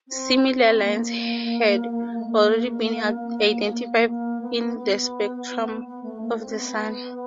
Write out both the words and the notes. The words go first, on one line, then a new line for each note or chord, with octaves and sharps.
Similar lines had already been identified in the spectrum of the Sun.
C4
C4
A#3
A3
A#3
A#3
A#3
B3
B3
B3
A3
A#3
C4
B3